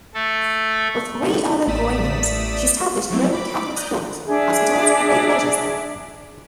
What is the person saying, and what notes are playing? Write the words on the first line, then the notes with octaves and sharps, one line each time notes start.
With three other Grey Nuns, she established Roman Catholic schools, hospitals and orphanages there.
A3 A4
A1 A3 D5 D#6 B6 E7
F3 F#3 A3 B3 C4 E4
B5 D6
D5 A#5 D#6 F#6 G6
D4 G#4 E5